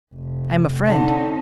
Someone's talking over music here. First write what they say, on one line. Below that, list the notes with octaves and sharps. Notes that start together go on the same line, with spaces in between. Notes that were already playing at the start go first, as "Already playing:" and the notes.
"I am a friend."
F1
D3 C4 C#4 D#4 A5